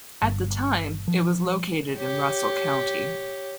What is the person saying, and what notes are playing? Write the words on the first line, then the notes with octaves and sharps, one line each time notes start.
At the time it was located in Russell County.
G1
F3
G4 C#5